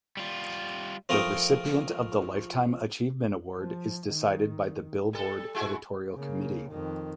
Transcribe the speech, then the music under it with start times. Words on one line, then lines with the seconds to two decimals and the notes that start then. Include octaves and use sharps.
The recipient of the Lifetime Achievement Award is decided by the "Billboard" editorial committee.
0.17 G3 F4
1.09 F3 A3 F4 A#4 G5 D#6
3.57 F3
4.09 D#3
5.13 G3 A4
5.55 G#3 E4 F#4
6.14 C#3 A#3
6.70 F2 D#3